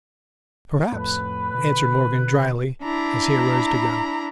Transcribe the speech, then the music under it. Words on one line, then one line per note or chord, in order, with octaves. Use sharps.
"Perhaps!" answered Morgan, dryly, as he arose to go.
F2 A2 B4
B2 D3
D4 E4 A#5 B5